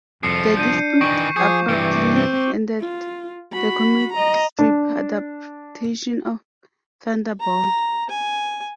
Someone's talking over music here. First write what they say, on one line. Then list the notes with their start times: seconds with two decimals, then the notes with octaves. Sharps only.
The dispute abruptly ended the comic strip adaptation of "Thunderball".
0.23 C2 F2 F3 C7 C#7
0.57 D4 G6 D#7
1.01 D#3 E3 C#6 G6
1.36 F3 G#4 D6 G6
1.69 G2 C3 E3
2.13 C4
2.80 F4
3.52 F#4 B5
4.12 D#5 A#5
4.59 D4
7.40 A#5
8.09 G#5